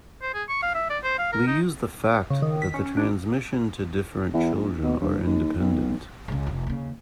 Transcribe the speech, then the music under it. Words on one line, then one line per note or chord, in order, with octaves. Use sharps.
We use the fact that the transmission to different children are independent.
C5
G#4
C#6
F5
E5
D5
C5
F5
A#4
D#4
C#3
D#3
B6
C#4
D4
E2
A#1
B2
G2
D#2
B1
C#2 C#3
F1
D#2 C#3